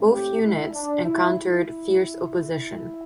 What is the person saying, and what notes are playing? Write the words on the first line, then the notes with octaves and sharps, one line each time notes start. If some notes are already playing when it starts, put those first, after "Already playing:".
Both units encountered fierce opposition.
Already playing: A2 A3 C4
G4
E4
D4
E4
E4
E4